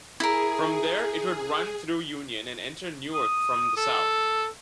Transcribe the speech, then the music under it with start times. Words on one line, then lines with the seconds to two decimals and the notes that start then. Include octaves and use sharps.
From there it would run through Union and enter Newark from the south.
0.20 E4 G#4 A#4
3.14 D#6
3.77 A4